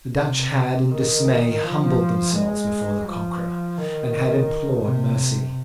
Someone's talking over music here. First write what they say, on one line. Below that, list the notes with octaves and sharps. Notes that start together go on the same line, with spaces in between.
The Dutch had in dismay humbled themselves before the conqueror, and had implored mercy.
C3
D#3
F3
G#3
F3
D#3
C3